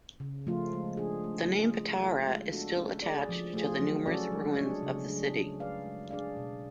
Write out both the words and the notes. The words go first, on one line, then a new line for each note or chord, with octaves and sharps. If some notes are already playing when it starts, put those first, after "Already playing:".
The name Patara is still attached to the numerous ruins of the city.
C#3
F3 A3 F4
G#3
D4 G#4
A3
C#4 F4 G#4
A3
F4 A4 F5
G#3
B3 D4 F#4 A4
C#4
G#4 D5
F3
A3 F4 G#4
F#3
C#4 F#4 A4 D5
G#3
D4 G#4 C#5
C#3
F#3 A3 D4 G#4
C#4
G#4 B4 D5 F5
G#3
D4 G#4 D5 F5
B2